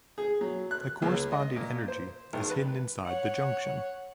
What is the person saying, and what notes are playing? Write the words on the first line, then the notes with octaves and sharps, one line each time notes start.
The corresponding energy is hidden inside the junction.
G#4
F#3
F#6
C#2
D#5
A#2
C5
G#1
B4
C#5 F#5